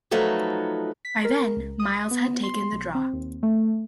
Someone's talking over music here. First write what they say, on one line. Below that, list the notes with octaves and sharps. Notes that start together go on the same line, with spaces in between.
By then, Miles had taken the draw.
F3 F#3 A3 D#4 B4
B6
A#4
C#2
D#6
B3
C6
B1
C4
D#2
A3